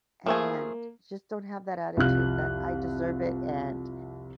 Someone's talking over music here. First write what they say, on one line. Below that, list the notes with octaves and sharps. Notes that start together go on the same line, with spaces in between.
and just don't have that attitude that, "I deserve it, and
F3 A3 A#3 G#4
C2 F2 F5 F#6